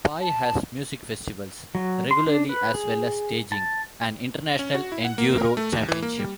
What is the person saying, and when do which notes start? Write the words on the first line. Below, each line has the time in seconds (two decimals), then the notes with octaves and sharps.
Pai has music festivals regularly as well as staging an international Enduro championship.
0.21 A5
1.75 F#3
2.11 C6
2.26 D4
2.49 B4
2.74 G#4
3.52 A5
4.59 C#4
4.74 F#4
4.92 E4
5.05 F#5
5.18 A#3
5.38 A#4
5.57 A3
5.73 D#2
5.88 E3
6.03 A#3
6.19 G3